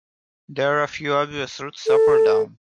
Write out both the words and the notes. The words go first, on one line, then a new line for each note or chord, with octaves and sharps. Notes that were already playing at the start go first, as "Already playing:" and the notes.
There are few obvious routes up or down.
A4